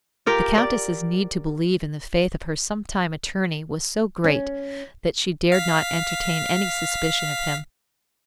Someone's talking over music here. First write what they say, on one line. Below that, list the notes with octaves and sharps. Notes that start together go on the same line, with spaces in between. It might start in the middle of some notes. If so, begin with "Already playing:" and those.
The Countess's need to believe in the faith of her sometime attorney was so great, that she dared not entertain any suspicion of him.
F4 G4 A#4
D5
C#4
F5 B6